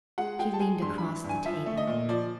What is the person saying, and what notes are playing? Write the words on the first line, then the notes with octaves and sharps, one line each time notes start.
She leaned across the table.
G#3 F#5
G#3 G5
A5
G#3 G#5
G2 C6
E3 B5
G2
G#5
F3 E5
A3
D#5
A#2
F3 D5